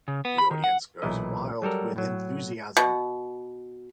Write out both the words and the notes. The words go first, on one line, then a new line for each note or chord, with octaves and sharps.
The audience goes wild with enthusiasm.
C#3
B3
B5
D#3
F#5
B1 A#2 E3 E4 D#5
F#3 G3 A4 A#4
A2 F#3
B2